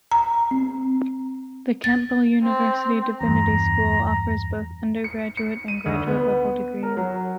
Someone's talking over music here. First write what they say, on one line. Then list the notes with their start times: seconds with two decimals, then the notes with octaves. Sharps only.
The Campbell University Divinity school offers both undergraduate and graduate level degrees.
0.11 A#5
0.51 C4
1.84 A6
2.43 C4
3.21 E2 G2 A#5
5.04 C#7
5.37 C#7
5.68 D#7
5.86 D2
6.07 B3
6.83 A#4
6.97 F#3